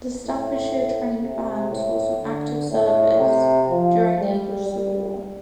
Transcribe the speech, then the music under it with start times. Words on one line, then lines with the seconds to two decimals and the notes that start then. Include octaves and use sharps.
The Staffordshire Trained Bands saw some active service during the English Civil War.
0.24 A2
1.23 C3
1.71 A2
2.22 D3
2.71 A2
3.20 C3
3.70 F3
4.20 G3
4.69 G3